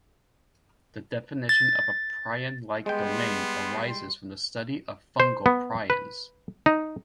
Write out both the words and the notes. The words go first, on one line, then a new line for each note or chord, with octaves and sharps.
The definition of a prion-like domain arises from the study of fungal prions.
A6
G3 G#3 B3 G5 C6
C5
B3
B4
D#4